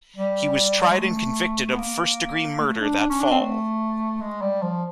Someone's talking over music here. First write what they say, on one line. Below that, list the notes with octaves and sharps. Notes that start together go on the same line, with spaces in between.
He was tried and convicted of first degree murder that fall.
G3
G#3
A3
B3
A#3
A3
D4
D4
C#4
D4
C4
A3
G#3
G3
F3